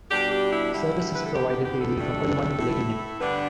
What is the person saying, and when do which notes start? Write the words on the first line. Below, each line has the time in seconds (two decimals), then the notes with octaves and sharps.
Service is provided daily from early morning to late evening.
0.10 B2 G3 D4 G4
0.31 G4
0.52 E4
0.72 D3 G3 E4
1.15 B4
1.25 A4
1.34 E2 D3 B3 G4
1.50 G4
1.65 G4
1.80 A4
1.96 G2 E3 A3 D4
2.58 A2 A3 E4
3.19 G2 D3 B3 D4 B4